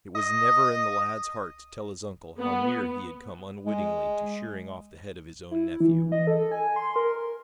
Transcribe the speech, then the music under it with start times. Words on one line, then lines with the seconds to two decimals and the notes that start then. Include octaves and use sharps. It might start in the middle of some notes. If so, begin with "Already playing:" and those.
It was never in the lad's heart to tell his uncle how near he had come unwittingly to shearing off the head of his own nephew.
0.15 D#5
2.38 B3
3.66 G#3
5.51 E4
5.80 E3
6.12 D#5
6.27 A4
6.51 G#5
6.76 C6
6.96 A#4